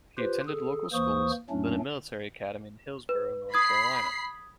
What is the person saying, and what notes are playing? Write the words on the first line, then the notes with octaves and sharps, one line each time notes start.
He attended local schools, then a military academy in Hillsboro, North Carolina.
F4 G4 B4 C5
G#4 A4
D#2 E3 A#3 C5 C#6 D#6
F2 A2 F#3 A3 C#4 D4
B4
B5 D#6 G#6 C7